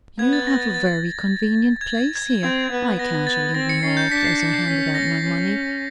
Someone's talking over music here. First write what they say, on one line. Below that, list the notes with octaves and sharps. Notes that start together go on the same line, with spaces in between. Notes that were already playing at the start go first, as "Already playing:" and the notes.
"You have a very convenient place here," I casually remarked, as I handed out my money.
B3 G#6
A6
A#6
A6
A6
G#6
A6
G#6
C4 G#6
B3
B3 A#6
A6
C4 A#6
C#7
C#4 C7
G6
D4 B6
C7
C#7
C7
C#4 B6
A#6
C#4